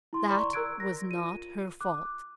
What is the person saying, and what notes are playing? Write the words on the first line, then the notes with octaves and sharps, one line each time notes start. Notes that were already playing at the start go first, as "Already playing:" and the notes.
"That was not her fault."
E4 C6
D5 A#5 C6 C#6
A#4 A#5 E6 F#6 G#6 D7
A#6
F4 D#7
D6 F#6